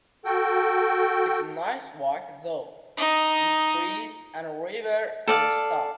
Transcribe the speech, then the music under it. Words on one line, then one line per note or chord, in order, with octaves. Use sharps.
It's a nice walk though, with trees and a river and stuff.
F#4 A4 G5
D#4 D#5
A4 D5 F5